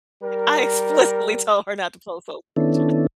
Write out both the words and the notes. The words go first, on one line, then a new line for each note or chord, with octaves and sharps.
I explicitly told her not to post those pictures.
G3 A#4
D#3 B3 C#4 D4 E4 A4